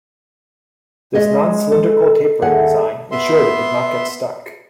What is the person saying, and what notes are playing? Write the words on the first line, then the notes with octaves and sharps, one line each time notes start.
This non-cylindrical tapering design ensured it did not get stuck.
G#3 C#5 D#5 E5
A4
D#2 G#4 A4 E5 F#5
B3 E5 C6